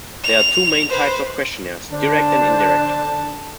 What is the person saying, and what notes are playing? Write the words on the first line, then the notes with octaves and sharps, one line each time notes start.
There are two main types of questionnaires; direct and indirect.
F7
B4 C5
D3 D4 A4 C5 A5